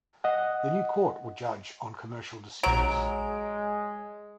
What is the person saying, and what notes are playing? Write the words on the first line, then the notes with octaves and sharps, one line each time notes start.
The new court would judge on commercial disputes.
D#5 F#5
A#1 F#3 G#3 A#5 D7